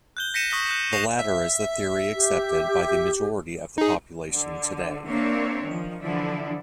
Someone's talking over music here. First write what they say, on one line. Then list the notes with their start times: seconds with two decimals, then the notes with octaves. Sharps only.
The latter is the theory accepted by the majority of the population today.
0.17 F#6 G6 G7
0.34 G6 A#6 B6 C#7 D#7 E7
0.50 C#6 D#6 F#6 A#6 B6 G7
0.71 F#6
0.93 C#6 A#6 C7 E7 F7 G7
1.19 E5
2.15 G4
3.78 D#4 G#4
4.30 D3
5.05 A#3 C4 D4 C#5 E5
5.65 D#3 F3
6.02 D3 E3 F3 D4 E4